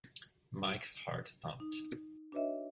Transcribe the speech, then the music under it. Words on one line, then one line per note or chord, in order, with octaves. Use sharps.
Mike's heart thumped.
D#4
D4 F#4 B4 C#5 D#5 E5